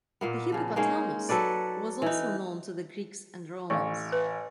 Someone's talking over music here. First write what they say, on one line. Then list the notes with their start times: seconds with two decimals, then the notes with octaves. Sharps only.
The hippopotamus was also known to the Greeks and Romans.
0.21 A#2 A#3 B3
0.52 C#3 F3
0.76 G#3 A#3 C#4 D#4
1.29 F#3 A4 B4 D5
2.02 E3 D#4
3.70 A1 F5 C#6
4.12 B4